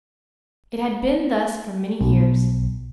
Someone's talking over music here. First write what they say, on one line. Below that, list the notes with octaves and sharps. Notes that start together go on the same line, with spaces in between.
It had been thus for many years.
B1